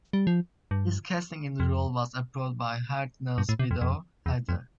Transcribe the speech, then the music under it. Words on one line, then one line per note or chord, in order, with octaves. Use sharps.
His casting in the role was approved by Hartnell's widow, Heather.
G3
F3
G2
F2
G2
A2
C3
F2
F2
E2
F2